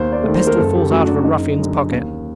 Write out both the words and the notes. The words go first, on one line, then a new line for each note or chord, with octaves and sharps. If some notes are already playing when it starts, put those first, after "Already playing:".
A pistol falls out of a ruffian's pocket.
Already playing: D#2 C5
D5
D#3 A3
C5
A#4
F#1 A4
G4
F#2 F#3 A3 F#4
D4
F#1 D#4
F#2 D3
D#2